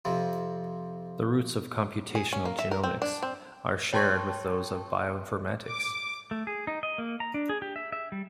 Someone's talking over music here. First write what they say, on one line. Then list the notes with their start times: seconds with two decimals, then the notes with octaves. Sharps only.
The roots of computational genomics are shared with those of bioinformatics.
0.05 F2 C3 F3
2.15 G#4
2.33 C#4
2.45 A#3
2.59 E5
2.71 A#4
2.83 C4
3.02 D4
3.23 C4
3.93 C#5 G5 A5 C6 C#6
5.69 D6
6.31 A3
6.47 G#4
6.67 D#4
6.83 D#5
6.98 A#3
7.20 A#5
7.34 D4
7.49 G#4
7.62 G4
7.76 E5
7.92 E5
8.12 G3